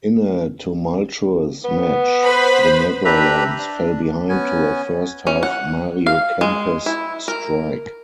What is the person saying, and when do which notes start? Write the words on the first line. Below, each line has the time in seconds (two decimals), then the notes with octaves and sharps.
In a tumultuous match, the Netherlands fell behind to a first-half Mario Kempes strike.
1.65 B3
2.24 B4 C5 B5
3.05 D4 G4 B4 E5 A#5 B5
3.58 D4
4.29 B3 C#4 G#5
5.27 C#4
5.43 F#5
6.06 F5
6.41 G#3
6.86 E4
7.28 A#4